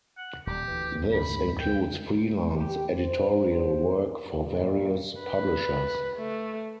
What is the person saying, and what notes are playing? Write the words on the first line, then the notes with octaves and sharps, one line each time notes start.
This includes freelance editorial work for various publishers.
F#5
D#1 G3 G4
D2 E3
D2 G#2 B5
G5
G4
C5
G2 A#2
B4
A3